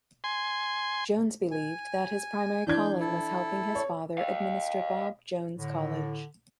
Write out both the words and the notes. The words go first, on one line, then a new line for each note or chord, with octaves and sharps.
Jones believed that his primary calling was helping his father administer Bob Jones College.
G#5 C6
G#5
E3 D4 G6 G#6
E4 A4
C#5
D#5 F5
A2 D3